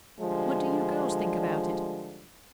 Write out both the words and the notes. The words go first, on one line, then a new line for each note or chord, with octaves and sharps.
"What do you girls think about it?"
D3 F3 G3 G#3